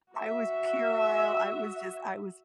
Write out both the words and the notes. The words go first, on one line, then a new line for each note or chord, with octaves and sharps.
I was puerile. I was just I was
F#4 E5